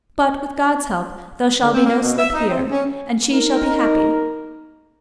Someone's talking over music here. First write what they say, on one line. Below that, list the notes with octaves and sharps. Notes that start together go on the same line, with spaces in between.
But, with God's help, there shall be no slip here, and she shall be happy.
D3
C4
A#3
B2
E5
D#4
C4
C#4
D#4 A#4